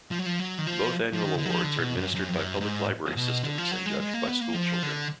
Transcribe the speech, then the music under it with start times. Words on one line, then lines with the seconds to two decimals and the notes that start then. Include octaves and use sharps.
Both annual awards are administered by public library systems and judged by schoolchildren.
0.11 F3
0.19 F#3
0.26 F3
0.40 F#3
0.58 D#3
0.67 F3
1.13 F3
1.23 D#3
1.37 D3
1.45 F#3
1.50 F3
1.64 D3
1.78 B2
1.96 F#2
2.15 F#2
2.28 F2
2.33 F#2
2.61 G#2
3.16 B2
3.43 D3
3.58 F3
3.72 F#3
3.86 G#3
4.00 G#3
4.14 A#3
4.27 B3
4.41 A#3
4.54 F3
4.83 D3